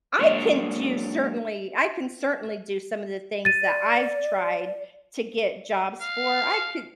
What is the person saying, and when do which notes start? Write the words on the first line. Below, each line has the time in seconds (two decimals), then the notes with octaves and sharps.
I can do certainly I can certainly do some of the things that I've tried to get jobs for. I could"
0.19 F#3 G#3 A#3 D4 C5 C#5
3.45 A6 D#7
3.62 D5
6.01 F5